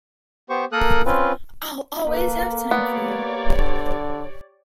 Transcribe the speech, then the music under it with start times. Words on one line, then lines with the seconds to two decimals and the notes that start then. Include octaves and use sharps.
I'll always have time for you.
0.49 B3 G4 C5 C#6
0.72 A#3 A4 A#4 D#6 F#6
1.05 C4 C#4 F4 B4
2.07 A#3 A4 B4
2.71 B3 G4 C#5 D5
3.57 D3